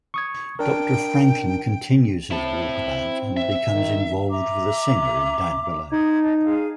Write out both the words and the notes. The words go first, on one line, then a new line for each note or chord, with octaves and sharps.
Doctor Franklin continues his walkabout, and becomes involved with a singer in Downbelow.
C#6 D#6 G#6
D4 A#4 G5
C4 E4 A5
E5
D#3
E5 A#5 D6
D#4 G#6
D#5 A5
G#4 F5